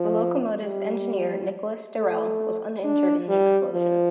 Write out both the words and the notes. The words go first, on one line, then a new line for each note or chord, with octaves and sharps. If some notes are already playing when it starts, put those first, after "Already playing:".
The locomotive's engineer Nicholas Darrell was uninjured in the explosion.
Already playing: F3
G3
A3
D4
G3
F3